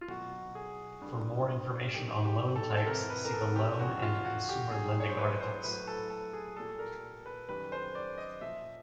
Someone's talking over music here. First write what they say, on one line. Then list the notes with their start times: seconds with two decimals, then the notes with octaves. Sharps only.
For more information on loan types, see the loan and consumer lending articles.
0.01 F4
0.09 B2 F#3 F#4
0.55 G#4
1.01 G2 D3 G3
1.94 G2 D#3 F#3 G4
2.25 G4
2.56 A4
2.77 A4
2.86 F2 C3 E3 A#4
3.10 B4
3.25 A#4
3.33 A4
3.56 G4
3.79 E2 C#3 F3 F#4
4.02 F4
4.25 F#4
4.49 G4
4.71 A#2 F#3 G#4
5.00 C#5
5.09 C5
5.18 B4
5.40 C5
5.64 A2 F#3 B4
5.87 A4
6.10 A4
6.33 G#4
6.56 A#2 G3 A4
6.79 A#4
7.26 B4
7.49 F#2 D#3 G3 B4
7.72 C5
7.95 D5
8.18 D#5
8.41 A#2 F3 E5